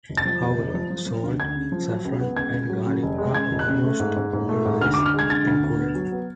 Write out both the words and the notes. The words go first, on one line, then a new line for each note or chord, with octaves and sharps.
However, salt, saffron and garlic are almost always included.
F1
A6
F3
F1
F1
F3
F3
F3
D2
D2 G#6
C#3
F3
F#3
C#2
B3
C#2 G#6
C#2
F#3
C#3
F1
G#3
C#3 G#6
F1
F#6
C#3
A3
G#2
G#2
G#2
A3
G#2
D2 F6
D6
D2
F6
G#3 G#6
D3 A6
D2
D2
B3
F#3
B3